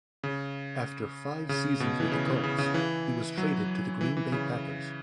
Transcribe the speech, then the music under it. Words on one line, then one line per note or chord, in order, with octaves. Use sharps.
After five seasons with the Colts, he was traded to the Green Bay Packers.
C#3
C#3
B2
E3
C#3
E3
C#3
C#3
E3
F#3
E3
E3
C#3